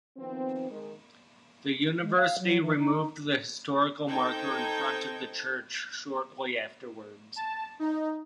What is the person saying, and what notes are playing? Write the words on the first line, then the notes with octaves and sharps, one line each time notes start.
The university removed the historical marker in front of the church shortly afterward.
D#3 F3 B3 C4
D#3 G#3
G#3
F5
F#3
E3
D#4
C4 D#4 A4 G5 G6 G#6
A5
D#4